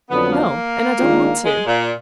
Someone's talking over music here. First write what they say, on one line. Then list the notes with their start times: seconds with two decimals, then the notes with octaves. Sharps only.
"No, and I don't want to."
0.10 F2 D3 F#3 B3 D4
0.32 A#3
0.99 D#3 G#3 D4 F4
1.44 G#3
1.66 A#2